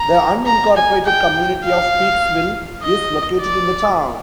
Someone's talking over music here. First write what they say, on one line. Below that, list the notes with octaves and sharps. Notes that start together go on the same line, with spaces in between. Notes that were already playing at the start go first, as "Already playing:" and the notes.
The unincorporated community of Peeksville is located in the town.
Already playing: A#5
A#5
G#5
G5
F5
D#5
D5